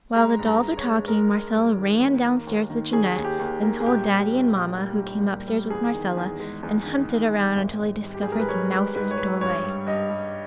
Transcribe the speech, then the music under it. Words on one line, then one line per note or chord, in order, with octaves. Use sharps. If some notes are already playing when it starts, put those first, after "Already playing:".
While the dolls were talking, Marcella ran down-stairs with Jeanette and told Daddy and Mamma, who came up-stairs with Marcella and hunted around until they discovered the mouse's doorway.
G#3 A#5
G2
A#5
G2
C#5
G#3
G#3 A#4
G#3
G2
D#3
D#2
A#3
D#2
D#3
D#2 G#4
D#2
G4
D#2
A#3
G#4
A#1 G4
G3
A#1
A#1
G3
A#1
G3
G3
E2 G#4
D#3
E2
G#3
E2
D#3
D#3
G#3
G#1
G#1
G3
G4
G#2 G#4
A#4
B4
G3 C#5
G#2 B4
G#2 B4
C#5
G#2 B4
G2 C#5
G3
G2 D#5
G3